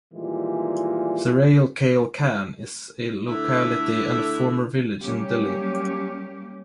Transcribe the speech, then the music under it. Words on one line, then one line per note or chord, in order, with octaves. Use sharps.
Sarai Kale Khan is a locality and a former village in Delhi.
A#2 D#3 E3 G3 G#3
D3 A3 E4
F#3 G3 A#3 C#4 G4